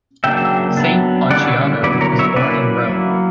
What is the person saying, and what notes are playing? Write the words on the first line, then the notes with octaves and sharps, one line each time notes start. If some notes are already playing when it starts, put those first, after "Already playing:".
Saint Ponciano was born in Rome.
C#3 F#3 A#3 D4 E5 G5
F#3 B3 D4
D3 G3 A#3 C#4 E4 D5 F#5
C#5 E5
D3 F#3 B3 E4 B4 D5
A#4 C#5
C#5 E5
F#3 A#3 C#4 E4 B4 D5
F#3 A#3 E4